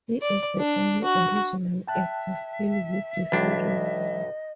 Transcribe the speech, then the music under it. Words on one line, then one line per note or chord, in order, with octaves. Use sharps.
He is the only original actor still with the series.
D5
D4
F#4
E5 G5 A5 F#6
B1 G2 E3 F#3 G#3 D4 D#5